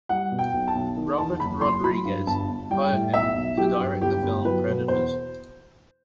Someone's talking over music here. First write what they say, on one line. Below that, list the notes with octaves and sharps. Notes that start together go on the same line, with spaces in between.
Robert Rodriguez hired him to direct the film "Predators".
G3 F#5
B2
G5
B1
A5
B1
D#3
E2 A5
F#1 B5
F#1 C6
F#3 B5
G2
G1 A5
G1
G3 G5
A2
B1 E5
B1
F#3 G4
G2
G1 G4
G1
F#3 B4
B2
E2 C5